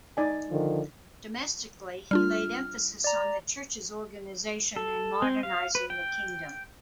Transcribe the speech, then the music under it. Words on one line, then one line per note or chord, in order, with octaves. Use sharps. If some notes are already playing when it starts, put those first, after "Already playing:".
Domestically he laid emphasis on the church's organization and modernizing the kingdom.
D#4 D5 G#5
D3 D#3 F3
G3 D4 F4 F6
D5 A#5
A4
C4
F5
B4
G5